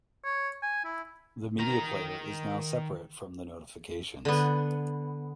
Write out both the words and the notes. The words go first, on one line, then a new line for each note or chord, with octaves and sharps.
The media player is now separate from the notifications.
C#5
G#5
E4
D#3 A#5
D3 B3